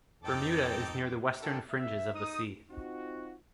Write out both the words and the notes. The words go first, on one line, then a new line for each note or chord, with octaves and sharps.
Bermuda is near the western fringes of the sea.
F2 C4 D#4 A4 G5 D6 A6
D4 E4 F#4 A4 A#4 G5
E5
D#4 D#6
C4 D#4 F4 F#4